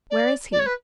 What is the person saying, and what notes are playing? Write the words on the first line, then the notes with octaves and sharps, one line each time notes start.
"Where is he?"
D5
D5
C#5
B4